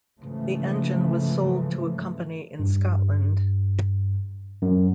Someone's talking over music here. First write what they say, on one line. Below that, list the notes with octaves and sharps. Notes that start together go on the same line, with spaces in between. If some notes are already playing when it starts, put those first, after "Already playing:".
The engine was sold to a company in Scotland.
G#2 C#3 E3 F3 A3
G2
F#2